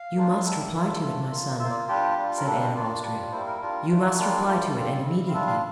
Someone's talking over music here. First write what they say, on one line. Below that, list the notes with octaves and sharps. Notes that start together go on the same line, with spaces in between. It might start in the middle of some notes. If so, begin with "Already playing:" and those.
"You must reply to it, my son," said Anne of Austria; "you must reply to it, and immediately."
Already playing: F5
A#3 D4 F4
G3 A#3 D4 E5
A#3 D4 F4
A3 D4 F4
A#3 F4
A#3 F4 C5 E5
D5
G3 D4 F4 G4
G3 D4 F4
A#4
G3 A#3 D4 A4
C5
A#3 D4 F4 D5
G3 D4 F4
G3 A#3 E4 C5
A#4
G3 D4 F4
A3 D4 F4
G3 A#3 D4 F4 D5
A3 D4 F4
G3 C4 F4
G3 C4 E4
F5
G3 D4 F4 E5
F5